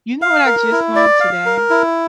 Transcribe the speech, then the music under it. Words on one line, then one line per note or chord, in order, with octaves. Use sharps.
you know what I just learned today?
F5
A#4
E4
D5
F5
A#4
E4